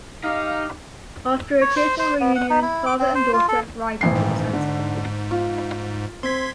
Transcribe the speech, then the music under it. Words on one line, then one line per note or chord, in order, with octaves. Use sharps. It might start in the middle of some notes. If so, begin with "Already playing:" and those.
After a tearful reunion, father and daughter ride into the sunset.
D#4 G4 F5
C#5
C5
C5
B3
F#5
D#4
E4
D6
C4
C5
F4
A4
D#1 A1 F2 C7
G#2
D3
F4
C4 C6 G#6 B6